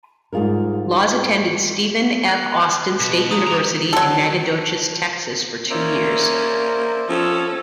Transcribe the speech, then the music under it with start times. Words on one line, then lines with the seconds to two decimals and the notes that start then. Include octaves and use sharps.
Laws attended Stephen F. Austin State University in Nacogdoches, Texas, for two years.
0.33 G#2 G3 F4 G#4 A#4
2.28 F#6 G#6
3.00 B2 B6 C#7
3.31 F3 A#5 D#6
3.47 G#4 A#5 D7
3.93 F#3 A4
5.70 A#3 C#4 C5 D5 E5
7.09 F3 C#4 A4 D#6